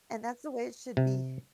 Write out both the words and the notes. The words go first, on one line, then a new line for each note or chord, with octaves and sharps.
And, that's the way it should be.
C3